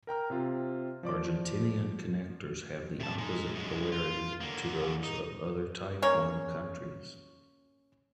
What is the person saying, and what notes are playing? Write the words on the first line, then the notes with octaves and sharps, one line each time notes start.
Argentinean connectors have the opposite polarity to those of other Type One countries.
A#4 G5 A#5 F6
C3 C4 F4
F3 D5 D6
C3 A5
G#3 D#4
F#2 G#3
F4
D3 A#3
D#4
A#3 C#4 C#5